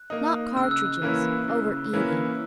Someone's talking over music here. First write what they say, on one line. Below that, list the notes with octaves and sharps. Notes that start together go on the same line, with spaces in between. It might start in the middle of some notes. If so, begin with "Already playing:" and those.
Not cartridges; over-eating.
Already playing: F#6
A#3 D#4
C#3 E6
F#6
E6
E3 A#3 C#4 E4
C#3
E3 A#3 C#4 E4